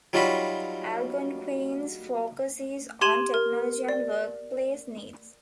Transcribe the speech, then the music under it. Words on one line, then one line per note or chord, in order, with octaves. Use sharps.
Algonquin's focus is on technology and workplace needs.
F#3 G3 D#4 F4 F#4 B5
G4 C6 G#6 D#7 E7 F#7
A#4
D5